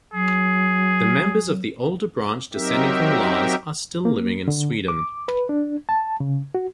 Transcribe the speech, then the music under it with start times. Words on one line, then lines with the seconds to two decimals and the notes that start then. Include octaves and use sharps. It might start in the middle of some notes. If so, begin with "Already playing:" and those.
The members of the older branch descending from Lars are still living in Sweden.
0.14 F#3 G#4
2.53 F#3 C4 D#4 G4 A#4 E5
4.05 A#3
4.48 D3
4.88 D6
5.28 B4
5.49 D4
5.89 A5
6.20 C#3
6.55 F#4